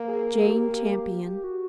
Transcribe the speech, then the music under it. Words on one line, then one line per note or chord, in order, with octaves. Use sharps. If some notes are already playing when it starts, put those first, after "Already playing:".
Jane Champion.
Already playing: A#3
G#4
G#4
G4
F#4